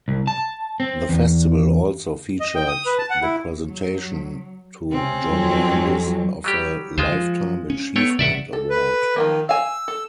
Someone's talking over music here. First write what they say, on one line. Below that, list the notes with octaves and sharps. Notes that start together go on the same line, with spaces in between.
The festival also featured the presentation to John Landis of a lifetime Achievement award.
C2
A5
C4
E2
D#5
G5
D#6
B4
A5
F#5
E4
F#3
C3 C4 C#4
F2 F#3
F#3 G3 G4
D2 G#3 F4 C5
F3
C#4
A3 B3 C#5 G5
A1 G2 C3 D5 E5 F#5
A4
B4
D#3 F3 F#3 A#3
F5 G#5 E6
A4